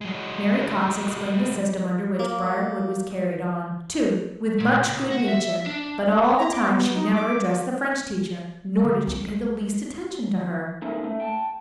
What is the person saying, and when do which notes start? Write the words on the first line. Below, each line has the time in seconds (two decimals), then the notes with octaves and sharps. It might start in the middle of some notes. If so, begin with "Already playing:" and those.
Mary Cox explained the system under which Briarwood was carried on, too, with much good nature; but all the time she never addressed the French teacher, nor did she pay the least attention to her.
0.01 F#3 G#3
2.19 A#3
4.60 A#2
4.84 C#2
5.12 F#4
5.29 E5
5.66 D4
6.37 A#5
6.53 D6
6.65 B3
6.95 D#4
7.12 D6
8.85 D3
9.07 C2
10.82 C3 A#3 C#4 D#4 E4 A4
11.04 A3
11.20 G5 A5